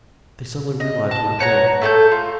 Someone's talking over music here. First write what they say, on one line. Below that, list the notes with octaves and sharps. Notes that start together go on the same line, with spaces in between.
They suddenly realized what it meant.
D#5
A5
B4 C#5 F#5 A#5
A3 A4 G#5 G6
F4